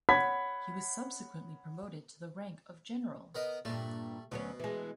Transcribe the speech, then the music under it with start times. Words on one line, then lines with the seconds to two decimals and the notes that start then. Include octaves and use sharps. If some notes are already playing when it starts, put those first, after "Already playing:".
He was subsequently promoted to the rank of General.
0.09 C#5 F#5 B5 G#6 B6
3.35 B3 A#4 D#5
3.65 G2 A#2 G3 A3
4.32 D2 B2 F#3 C#4
4.60 E3 G#3